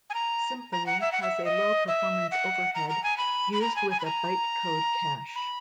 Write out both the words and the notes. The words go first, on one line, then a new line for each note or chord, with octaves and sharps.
Symfony has a low performance overhead used with a bytecode cache.
G#5
A#5
A#5
F#5
E5
F#5
E5
D#5
E5
F#5
A#5
A#5
G#5
B5
B5
A#5
G#5
G#5
B5
A#5
B5